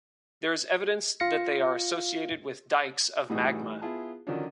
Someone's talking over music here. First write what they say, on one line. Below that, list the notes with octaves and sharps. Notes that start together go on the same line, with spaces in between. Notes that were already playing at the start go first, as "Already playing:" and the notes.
There is evidence that they are associated with dikes of magma.
F4 F5 A#6 C#7
A2 E3 G3 D#4 F#4 G#4
B3 E4 F4 G#4 A5
D3 D#3 F3 F#3 C#4 D4